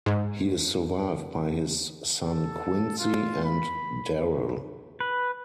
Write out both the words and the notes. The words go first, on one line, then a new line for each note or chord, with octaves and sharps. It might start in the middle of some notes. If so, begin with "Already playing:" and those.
He is survived by his son Quincy and Darrell.
G#2
A4
F4
B5
B4